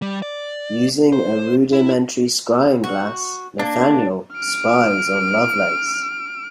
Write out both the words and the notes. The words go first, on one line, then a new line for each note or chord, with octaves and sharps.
Using a rudimentary scrying glass Nathaniel spies on Lovelace.
G3
D5
C5
E4
F#4
A#3 D4
F6 D7